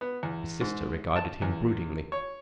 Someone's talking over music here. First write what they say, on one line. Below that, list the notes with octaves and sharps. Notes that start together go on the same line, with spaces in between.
His sister regarded him broodingly.
B3
E2
G#2
A5
E2
C#5